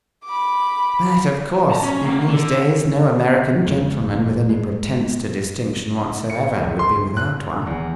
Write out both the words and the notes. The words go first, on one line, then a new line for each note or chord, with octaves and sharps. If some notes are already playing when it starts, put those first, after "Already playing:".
But, of course, in these days no American gentleman with any pretence to distinction whatsoever would be without one.
B5 D6
A5 A#5
C#4
E2 A#3
D3
F1 E2 G#3
G#3
C#7
C#2
C6
F#6
E2